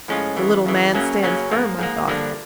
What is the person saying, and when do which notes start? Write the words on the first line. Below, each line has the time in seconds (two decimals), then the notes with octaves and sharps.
The little man stands firm, I thought.
0.08 A2 F3 G#3 C#4 F4
0.37 F2 C#3 E3
0.65 F2 C#3 E3
0.94 F#2 C#3 F#3 A#3 C#4
1.23 F#2 C#3 F#3 A#3 C#4
1.50 G#2 F3 A#3
1.79 G#2 F3 A#3
2.08 G2 D3 F3 A#3 D4